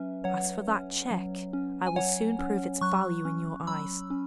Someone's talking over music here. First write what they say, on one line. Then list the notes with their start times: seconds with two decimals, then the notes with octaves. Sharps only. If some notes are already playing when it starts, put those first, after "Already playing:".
As for that check, I will soon prove its value in your eyes.
Already playing: F#3 C#4 B4 E5
0.24 F#3 C#5 F#5
0.68 C#4
1.11 F#3
1.53 C#4
1.87 G#5
1.96 F#3 C#5 F#5
2.39 C#4
2.81 F#3 C#6 F#6
3.25 C#4
3.67 F#3 B5 E6
4.10 C#4